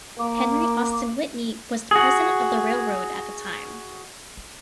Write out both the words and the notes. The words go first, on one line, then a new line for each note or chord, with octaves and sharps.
Henry Austin Whitney was the president of the railroad at the time.
A#3 D6
F#4 G#4